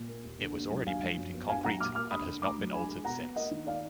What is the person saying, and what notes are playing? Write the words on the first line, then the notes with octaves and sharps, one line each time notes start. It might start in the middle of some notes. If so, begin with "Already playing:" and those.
It was already paved in concrete, and has not been altered since.
Already playing: A#2
A#3
D#2
D3
D#2
F#3
D4 F5 G#5
F3
F#2
B3
D4 F5 G#5
F#3 F#5 A#5
A#2 D6 F6
A#3 D6 F6
D4 B5 D#6
D3
D2 A#5 D6
F#3
D4 G#5 B5
G#3
B2 F#5 A#5
B3
A#3 D#5 F#5
D#3
D5 F5